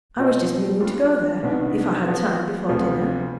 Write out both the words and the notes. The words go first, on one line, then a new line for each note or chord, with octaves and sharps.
I was just meaning to go there, if I had time, before dinner.'
B2 B3 F4 C5 D#5
G3 D4 F4
C2 C3 D#3 B3 D4
F3 B3 F4 B4
D2 C3 F3 B3 F4